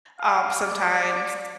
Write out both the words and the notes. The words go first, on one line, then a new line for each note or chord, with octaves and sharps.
um, sometimes
F5
D5
D5